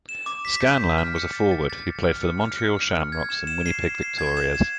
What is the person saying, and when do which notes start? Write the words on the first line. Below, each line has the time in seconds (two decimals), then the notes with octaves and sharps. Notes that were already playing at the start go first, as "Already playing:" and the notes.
Scanlan was a forward who played for the Montreal Shamrocks and Winnipeg Victorias.
0.09 E7
0.26 D6
0.45 B6
0.62 G6
0.80 B6
0.98 F6
1.16 C#7
1.33 A6
1.51 A6
1.70 A6
1.87 A6
2.04 F6
2.22 C#7
2.41 F6
2.58 C#7
2.77 F6
2.95 F6
3.12 G#6
3.30 E7
3.47 E7
3.66 C7
3.83 E7
4.01 C7
4.18 G#6
4.37 E7
4.55 E7